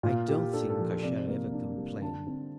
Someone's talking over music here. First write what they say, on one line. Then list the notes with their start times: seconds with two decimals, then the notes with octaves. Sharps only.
I don't think I shall ever complain.
0.03 A#2 F4
0.28 A#3 G4
0.53 D4 A4
0.70 A4
0.78 F3
1.03 C3 D5
1.28 A#3
1.52 D4
1.77 G3
2.02 D3 A5
2.27 C4